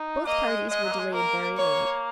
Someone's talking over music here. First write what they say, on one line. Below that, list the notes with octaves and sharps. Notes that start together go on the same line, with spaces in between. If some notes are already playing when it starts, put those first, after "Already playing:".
Both parties were delayed very late.
Already playing: D#4
A#3 D#5
G#3
G#3 D#5
F#3
A#3
G#3
A#3 A#4
C#5